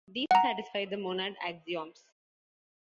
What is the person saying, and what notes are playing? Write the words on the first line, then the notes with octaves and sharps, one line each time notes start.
These satisfy the monad axioms.
F#5 A#5